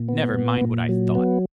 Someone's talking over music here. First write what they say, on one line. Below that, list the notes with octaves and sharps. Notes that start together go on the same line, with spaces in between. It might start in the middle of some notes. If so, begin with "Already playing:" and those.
Never mind what I thought!
Already playing: A#2
B3
A#2
A#2
F#3
B3